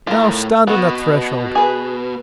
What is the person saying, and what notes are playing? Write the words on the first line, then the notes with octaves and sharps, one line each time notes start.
Now stand on that threshold.
A2 F4 A#4
B2 B3 F#4
G#4 B4